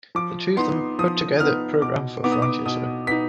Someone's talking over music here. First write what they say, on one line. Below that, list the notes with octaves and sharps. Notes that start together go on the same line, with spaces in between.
The two of them put together a program for a frontier show.
F3 D6
B3 D#4 C6
F3 D#6
B3 D#4 F6
B2 D6
B3 D#4 D6
D#6
D6
B2 D#6
B3 D#4 B6